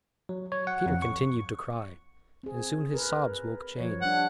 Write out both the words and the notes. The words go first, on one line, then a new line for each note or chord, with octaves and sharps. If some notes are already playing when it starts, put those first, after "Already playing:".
Peter continued to cry, and soon his sobs woke Jane.
F#3
C#5
F#5
F2
C#6
C4 G#4
A#4 B4
F3 C#5
G3 D4 F#5